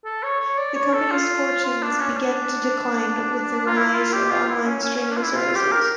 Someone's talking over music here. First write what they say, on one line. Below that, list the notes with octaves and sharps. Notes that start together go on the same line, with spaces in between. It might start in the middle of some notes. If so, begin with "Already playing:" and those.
The company's fortunes began to decline with the rise of online streaming services.
A4
C#5
C#5
D5
C#5
A4
F4
F4
D4
C#4
D4
F4
E4
F4
G4
F4
E4
C#4
C#4
C#4
D4
F4
E4
F4
G4
A#4